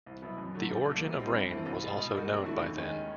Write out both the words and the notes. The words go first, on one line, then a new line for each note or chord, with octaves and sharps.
The origin of rain was also known by then.
C2
B2 F#3 B3 E4
F#2
D3 F#3 A3
A#1
A#2 F#3 A3
C2
B2 G3 C4 D#4
G2
E3 A3 C4 E4
C2
B2 G#3
B2
G3 A#3 D#4 F#4
C3
E3 A3 D4 F#4
D#2
D#3 G#3 C#4